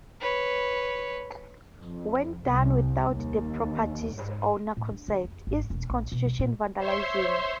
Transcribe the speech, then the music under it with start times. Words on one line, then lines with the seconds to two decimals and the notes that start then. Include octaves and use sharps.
When done without the property owner's consent, it constitutes vandalism.
0.21 B4 C#5
1.80 F2
2.46 C2
3.05 D#2
4.16 G#2
4.77 A2
4.91 D4
5.08 D3
5.24 F2
5.47 G#1
5.70 E1
5.90 A#1
6.12 B2
6.26 B1
6.39 A#2
6.78 C5 C#5 E5 C6